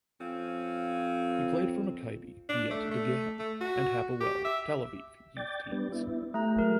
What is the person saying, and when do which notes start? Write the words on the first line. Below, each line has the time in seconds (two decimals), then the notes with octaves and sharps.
He played for Maccabi Beit Dagan and Hapoel Tel Aviv youth teams.
0.20 F2 C4 C#4 F5
2.49 D4
2.71 A3
2.91 A3
3.39 A3
3.61 F#4
4.21 G4
4.45 E5
5.37 D5 G5 A6
5.72 G3 B3 D4
5.92 B3 E4
6.34 A3 G4 A#5
6.59 F#3 G#3 A#4